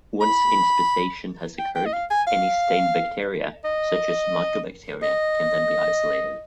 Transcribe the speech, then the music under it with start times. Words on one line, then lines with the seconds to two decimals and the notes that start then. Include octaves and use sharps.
Once inspissation has occurred., any stained bacteria, such as Mycobacteria, can then be isolated.
0.21 B5
1.59 G5
1.75 G5
1.86 D#5
1.93 F5
2.10 G#5
2.27 F5
3.64 D#5
5.02 D#5